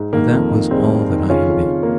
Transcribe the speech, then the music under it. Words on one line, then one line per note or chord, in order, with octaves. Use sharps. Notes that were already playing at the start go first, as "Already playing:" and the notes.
For that was all that I had been.
Already playing: G#2
D#3 A#3
F2
D#3
G3 G#3 C4
D#3
D#3
C#3 C#4 F4
F2
F2
A#3